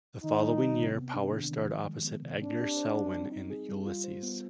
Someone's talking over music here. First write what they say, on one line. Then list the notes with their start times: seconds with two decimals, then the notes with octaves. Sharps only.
The following year Power starred opposite Edgar Selwyn in "Ulysses".
0.23 D#3 D#4
0.42 G3
0.60 C4
0.78 C3
0.95 B3
1.14 D4
1.32 D#3
1.51 D#3
1.69 F3
1.86 G#3
2.04 B3
2.22 C3
2.42 C4 D4
2.60 G4
2.77 C5
2.96 G3
3.14 C4
3.32 D#4
3.50 G#4
3.69 G3
3.86 F4
4.04 C5
4.23 B3